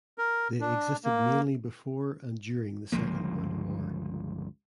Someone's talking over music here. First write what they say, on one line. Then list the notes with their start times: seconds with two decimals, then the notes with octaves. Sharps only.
They existed mainly before and during the Second World War.
0.18 A#4
0.61 D4
1.04 A#3
2.92 G1 C#2 F3 A#3